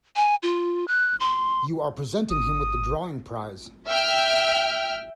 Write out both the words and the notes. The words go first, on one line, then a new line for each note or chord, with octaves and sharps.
You are presenting him with the drawing prize.
G#5
F4
F#6
C6
G#1 D#6
E5 G5 F6